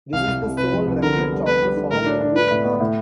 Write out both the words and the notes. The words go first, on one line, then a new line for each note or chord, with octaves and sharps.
This is the sole remnant of the former route north.
C2 F5
C2
C2
C3 B4
F3
C2
D3 A#4
B3
G3
B3 B4
G3
D3
A2 A#4
D4
D4
D4 B4
A2
B3
A2